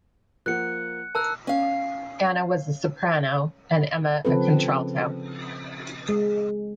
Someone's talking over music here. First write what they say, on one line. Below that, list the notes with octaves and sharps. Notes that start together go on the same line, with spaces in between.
Anna was a soprano and Emma a contralto.
F3 A#3 F#5 F#6 C#7
A#4 A5 E6 F#6
C#4 F5
C#3 F3 C4 A4 B4
G#3